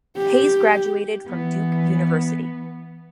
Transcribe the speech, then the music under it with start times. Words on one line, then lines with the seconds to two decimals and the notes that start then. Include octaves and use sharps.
Hayes graduated from Duke University.
0.18 G4
1.27 E3 B3